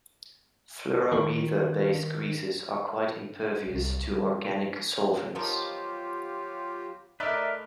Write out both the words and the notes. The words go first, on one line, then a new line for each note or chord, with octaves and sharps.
Fluoroether-based greases are quite impervious to organic solvents.
D#3
C2
G3
D#3 F3 F#3 B3 F4 G4
A2 D#4 A#4 B4 D5 E5